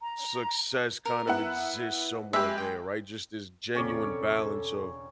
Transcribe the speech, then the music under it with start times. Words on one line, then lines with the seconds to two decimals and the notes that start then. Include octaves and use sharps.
Success kind of exists somewhere there, right, just this genuine balance of
0.01 A#5
1.05 A#4
1.27 B3 E4 F#5
2.33 G#3 G4 B4 E5
2.58 G5
3.75 E1 C#3 C4 C#4 A4 C#5 D5